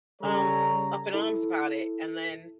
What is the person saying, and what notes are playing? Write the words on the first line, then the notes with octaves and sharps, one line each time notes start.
um, up in arms about it, and then,
C#3 G3 G#4 A4 C#5 A#5
E4 A4